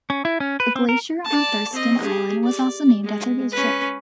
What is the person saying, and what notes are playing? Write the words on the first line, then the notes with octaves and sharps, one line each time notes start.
A glacier on Thurston Island was also named after the ship.
C#4
E4
C#4
B4
C4
A#4
D5 A5
C4 D#5
G4 G#4
D5
G#3
C#4 B4